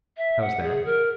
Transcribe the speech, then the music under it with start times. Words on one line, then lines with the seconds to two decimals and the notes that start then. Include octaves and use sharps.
How's that?
0.18 E5
0.41 F#5
0.63 G#4
0.86 A#4